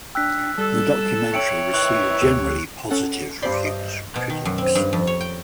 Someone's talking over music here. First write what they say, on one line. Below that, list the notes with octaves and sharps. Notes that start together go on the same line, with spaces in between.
The documentary received generally positive reviews from critics.
D4 G5 E6 F#6 B6
G3 A4
E7
C#5 E5 G5 C#7 D7 F#7
D#3 E3 E4 C#6 F#6
D2 G4 E6
C#4 A4 F#5
G2 C5 D5 B5 C6
D#5
B2
D#3
F#2
C4
G2
F2
C#5
G5